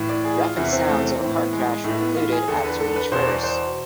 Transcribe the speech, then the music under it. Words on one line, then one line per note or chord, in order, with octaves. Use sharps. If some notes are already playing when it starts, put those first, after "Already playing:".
Graphic sounds of a car crash are included after each verse.
Already playing: A2 E3
D5
G#4
F4
E2 C3 E3 E4
C4
A3
C4
A2 E3 C4
B3
G#3
A2 E3 A3
B3
F4
G#4
E2 D3 A4
B4
A4
B4
E2 B2 C5
D5
C5